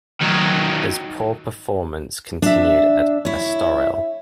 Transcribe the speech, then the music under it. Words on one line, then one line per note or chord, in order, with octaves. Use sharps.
His poor performance continued at Estoril.
D#3 F#3
D4 E5
E4 C#5